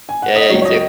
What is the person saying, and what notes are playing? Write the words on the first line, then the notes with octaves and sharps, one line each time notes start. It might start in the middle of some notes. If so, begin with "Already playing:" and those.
Yeah, yeah, you too.
G#5
F#5
D#5
C#2 C#3 F#3 C#5
C#5
D#5